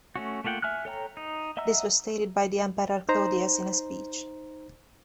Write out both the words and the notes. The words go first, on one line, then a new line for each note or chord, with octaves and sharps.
This was stated by the Emperor Claudius in a speech.
A3 C#4 F#4
A3 A#3 F4 F#5 G5
E5 G#5 F6 F#6
A4 C#5 G5 A#5
D#4
D#5 E5 F#5 A#5 E6
D#4 C5 A#5